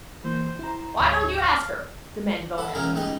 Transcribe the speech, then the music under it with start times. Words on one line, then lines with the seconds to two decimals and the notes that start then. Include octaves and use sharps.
"Why don't you ask her?" demanded old Anthony.
0.24 E3 A#3 C5
0.59 E4 C5 A#5
0.99 D2 G#2 C#5
1.36 F5
2.58 A4 F#5 B5
2.75 A#2 E3 G#3 B3 C#4 A#4
2.95 C#2 G#2 G3 D#4 B4 D#5